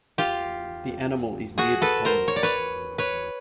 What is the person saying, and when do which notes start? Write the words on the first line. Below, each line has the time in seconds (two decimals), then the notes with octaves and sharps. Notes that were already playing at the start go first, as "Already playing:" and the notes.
The animal is near the pond.
0.18 F4 G4
1.58 F#4 G#4
1.82 A4 B4
2.05 A#4 C5
2.28 C#5
2.36 D5
2.43 B4 C#5
2.98 B4 C#5